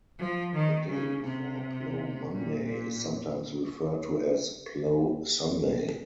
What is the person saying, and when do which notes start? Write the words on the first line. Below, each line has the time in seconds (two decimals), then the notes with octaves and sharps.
The day before Plough Monday is sometimes referred to as Plough Sunday.
0.18 F3
0.54 D#3
0.89 C#3
1.25 C3
2.31 A#2
2.67 A#2